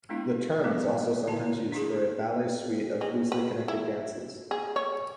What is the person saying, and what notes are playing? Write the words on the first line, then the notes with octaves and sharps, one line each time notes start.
The term is also sometimes used for a ballet suite of loosely connected dances.
G#3 A#3 B3 D4 E4 F4
A#4
F3 G3 A3 B3 D4
D3 E4 A5
D4 E4 F4 G#4
G#3
B4
E4
G#4
C#5